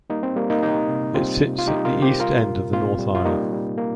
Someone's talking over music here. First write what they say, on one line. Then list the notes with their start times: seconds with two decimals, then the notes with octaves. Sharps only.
It sits at the east end of the north aisle.
0.10 G3 A#3 D#4
0.23 C4
0.36 G3 A#3
0.50 A#3 D#4
0.63 C3 D#4 G4
0.89 C3
1.14 G3 C4 F4
1.41 C3
1.59 F4
1.67 G3 D#4 G4
1.85 F4 A#4
1.94 C3
2.02 G4 C5
2.20 G3 F4 A#4
2.46 A#2
2.72 A#2 C4 F4
2.98 G3
3.15 F4
3.25 G3 A#3 D#4
3.52 G3
3.78 G3 A#3